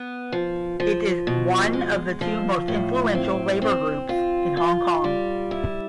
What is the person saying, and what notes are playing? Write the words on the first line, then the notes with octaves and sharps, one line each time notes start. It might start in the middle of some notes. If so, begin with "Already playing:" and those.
It is one of the two most influential labour groups in Hong Kong.
Already playing: B3
F3
F3
B2
G#3
F3
A2
C4
C4
F4
F4
G3
E4